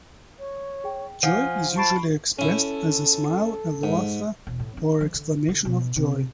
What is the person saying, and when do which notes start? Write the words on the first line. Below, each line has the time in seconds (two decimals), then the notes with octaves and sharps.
Joy is usually expressed as a smile, a laughter or exclamation of joy.
0.39 C#5
0.84 G#4 G5
1.23 F3 F#5 G#5
1.77 A5 B5 C#6 C7 D7
2.39 C#4 E4 A4
3.83 G#2
4.47 E1
4.60 A2
4.77 D4
5.01 F3
5.14 D3
5.48 D3
5.65 B2
5.96 C3